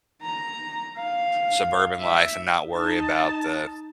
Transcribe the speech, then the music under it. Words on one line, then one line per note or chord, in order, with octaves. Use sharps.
suburban life and not worry about the
A#5
F5
E5
D#4 A5